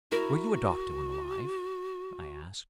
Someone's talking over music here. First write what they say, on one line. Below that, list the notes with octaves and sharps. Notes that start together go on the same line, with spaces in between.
"Were you a doctor when alive?" I asked.
E4 F#4 A#4